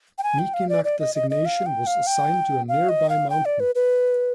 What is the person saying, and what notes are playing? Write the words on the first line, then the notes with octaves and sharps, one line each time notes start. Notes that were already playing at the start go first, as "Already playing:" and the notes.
Mikinak designation was assigned to a nearby mountain.
G5
G#5
G5
F5
D5
D5
D#5
D#5
D#5
F5
G5
F5
G5
F5
D#5
F5
G5
D5
B4
B4